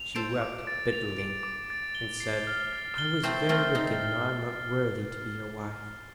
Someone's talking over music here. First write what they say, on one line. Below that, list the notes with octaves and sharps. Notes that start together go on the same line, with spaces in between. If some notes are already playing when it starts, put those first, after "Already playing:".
She wept bitterly, and said: 'I was very wicked, and I am not worthy to be your wife.'
Already playing: F7
A4 C5 D7
D6
A6
F7
D7
D6
A6
G7
C7
F6
A6
G7
A3 C4 C7
A3 C4 F6
C4 D#4 A6